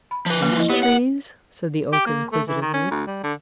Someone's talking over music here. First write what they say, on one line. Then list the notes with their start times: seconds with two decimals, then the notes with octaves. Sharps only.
"Beech Trees?" said the Oak inquisitively.
0.11 B5
0.26 F3 B4
0.42 A#3
0.57 E4 D#5
0.70 B3 G4 C#5
0.83 F#5
1.92 G4
2.06 A#3
2.32 A3
2.47 E3
2.62 D#3
2.74 C#4
2.91 D2
3.07 G3
3.24 D3